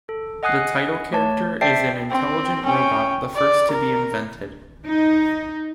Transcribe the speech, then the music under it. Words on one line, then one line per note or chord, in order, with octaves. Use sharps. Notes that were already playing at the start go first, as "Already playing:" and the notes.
The title character is an intelligent robot, the first to be invented.
A4
D#5 F#5 G#5 D#6 F#6 C7
A3 C#5 A5
C5 D5 E5 G5 A5 C7
C4
C#4 G5
D5
A#4
D#4